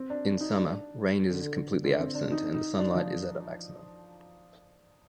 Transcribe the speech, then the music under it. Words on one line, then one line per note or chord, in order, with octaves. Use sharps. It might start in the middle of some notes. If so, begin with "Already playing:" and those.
In summer, rain is completely absent and the sunlight is at a maximum.
Already playing: C4
D4
D#4
D4
D3
D3
D3
C4
D4
D#4
D#4
D4
F3